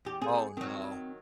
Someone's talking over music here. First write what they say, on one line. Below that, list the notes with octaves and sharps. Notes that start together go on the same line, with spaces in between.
Oh, no.
E2 G4
C4 G#4 A4 C5
D#3 F#3 C4